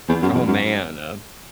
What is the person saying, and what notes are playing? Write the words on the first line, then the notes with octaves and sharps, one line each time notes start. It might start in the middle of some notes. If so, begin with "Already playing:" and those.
Oh, man, uh
E2
F#2
E2
F#2